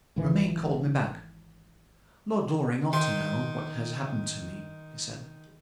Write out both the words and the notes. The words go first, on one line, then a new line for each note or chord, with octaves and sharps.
Romayne called me back. "Lord Loring ought to know what has happened to me," he said.
G#1 G#2 D#3 E3
D#3 C6